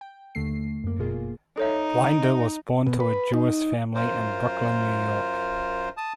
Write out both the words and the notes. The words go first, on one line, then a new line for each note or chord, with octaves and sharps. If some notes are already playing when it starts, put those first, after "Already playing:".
Blinder was born to a Jewish family in Brooklyn, New York.
G5
D#2 D3 A3 C7
F#2 A#3
G1 B2 A#3 F4 G#4
D#4 A4 C#5 E5
B2
B4
D#4
F#2 F4 A#4 C5
A5 D#6